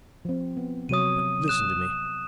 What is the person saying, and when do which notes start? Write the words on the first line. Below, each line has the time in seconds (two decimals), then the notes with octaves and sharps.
But listen to me.
0.25 F3 C4
0.57 B3
0.89 C3 F#3 C#5 D#6 D#7
1.48 D#6 F#6 E7